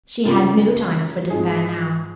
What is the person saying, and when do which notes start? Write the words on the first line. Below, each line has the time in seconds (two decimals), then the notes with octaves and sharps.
She had no time for despair now.
0.25 F#2 C#3 G#3 F4
1.30 G#2 F3 G#3 G#4